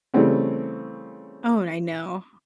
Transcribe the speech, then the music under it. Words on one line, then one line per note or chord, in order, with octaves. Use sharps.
Oh, and I know.
C#3 E3 G3 A3 C4 C#4